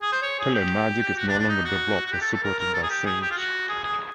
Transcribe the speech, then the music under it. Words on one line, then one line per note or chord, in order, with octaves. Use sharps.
TeleMagic is no longer developed or supported by Sage.
G#4
C5
C#5
G#4
G4
F#4
D4
D4
D#4
F#4
F#4
G4
A4
A4
A#4
A#4
A4
G#4
G4
G#4
G4
F4
F#4
G#4
G#4